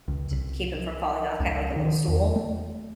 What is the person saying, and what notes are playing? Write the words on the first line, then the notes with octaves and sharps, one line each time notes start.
to keep him from falling off, kind of like a little stool,
C#2
C2
C#2
D#3
E2
A3